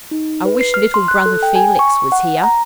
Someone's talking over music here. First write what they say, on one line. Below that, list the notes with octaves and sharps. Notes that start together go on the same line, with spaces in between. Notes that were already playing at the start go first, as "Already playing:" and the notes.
I wish little brother Felix was here!'
D#4
B4
C7
F6
C6
F#6
A4
G5
G#5
C#6
F#5
A#5